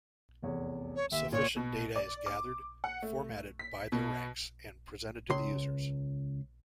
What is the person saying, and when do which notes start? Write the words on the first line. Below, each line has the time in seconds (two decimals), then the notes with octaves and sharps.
Sufficient data is gathered, formatted by their ranks and presented to the users.
0.43 F1 E2 C#5
0.96 C#5
1.12 D#2 E5
1.32 A#2 C#5
1.56 B2
1.96 D5
2.26 D6
2.84 F#5
3.03 A3
3.59 B6
3.92 B2
5.30 C#2 C6